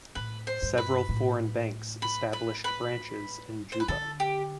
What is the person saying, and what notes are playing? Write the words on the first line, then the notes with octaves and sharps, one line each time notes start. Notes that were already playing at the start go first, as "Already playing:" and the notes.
Several foreign banks established branches in Juba.
A2 B4
C5
G2
B4
A2
B4
B4
B4
C5
B4
D3 A4
G4